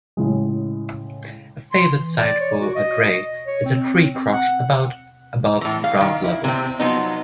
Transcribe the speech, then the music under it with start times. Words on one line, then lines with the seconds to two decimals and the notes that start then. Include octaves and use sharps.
A favoured site for a drey is a tree crotch about above ground level.
0.17 A2 C#3 G#3
1.72 C6
1.93 E3
2.17 D5
2.40 C#5
2.60 F#4
2.75 D#5
3.46 C#5
3.65 C4
4.13 C4
4.33 F#5
5.61 A2 E3
5.84 F5
6.01 D#3
6.24 E4
6.44 C3 C4
6.79 F3 F#3 B3 D#4